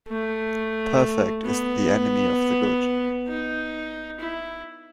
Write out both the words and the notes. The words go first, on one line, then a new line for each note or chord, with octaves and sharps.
Perfect is the enemy of the good.
A3
B3
D#4
E4